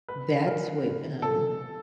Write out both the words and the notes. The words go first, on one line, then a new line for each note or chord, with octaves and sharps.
that's what, um
B4
A#4
A4